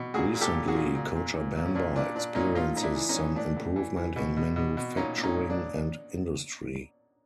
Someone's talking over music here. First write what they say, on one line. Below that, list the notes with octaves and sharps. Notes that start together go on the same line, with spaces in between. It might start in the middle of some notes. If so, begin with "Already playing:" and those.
Recently, Cochabamba experiences some improvement in manufacturing and industry.
Already playing: B2
A#2 F#4 G#4
A#2
G4 A4
A#2
F#4 G#4
A#2
A#2
A#2
A#2
A#2
C#4
A#2 D4
A#2 D4
A#2 D4
A#2 C#4 D#4
A2 D#4 F4
A2 D#4
D4 E4
E3
C#4 D#4
E3
A2 D4
A2
E3
E3
B2
B2
B2
B2
A#2 C#4 D#4
A#2
C#4 D#4
A#2
D4